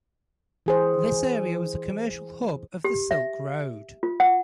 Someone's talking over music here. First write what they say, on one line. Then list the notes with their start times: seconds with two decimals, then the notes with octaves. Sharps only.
This area was a commercial hub of the Silk Road.
0.66 E3 G#4 C5
2.84 G4
3.11 E5
4.03 F4
4.20 F#5